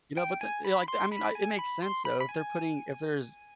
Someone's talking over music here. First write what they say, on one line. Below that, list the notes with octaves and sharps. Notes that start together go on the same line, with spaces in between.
You know, but then, you know, like, I mean, it makes sense, though, if they're putting if there's
G5
G#5
B5
C6
B5
G#5
B5
C6
B5
B5
G#5